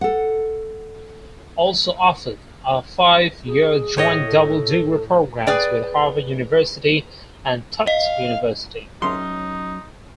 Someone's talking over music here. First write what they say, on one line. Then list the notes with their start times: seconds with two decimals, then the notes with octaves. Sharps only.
Also offered are five-year joint double-degree programs with Harvard University and Tufts University.
0.01 A4 F#5
3.46 G#4
3.97 A2 C#5 D#5
4.27 A4
5.47 G#4 B4 D5 G5
7.87 D#5 F5
9.02 F#3 C#4 D#4 C6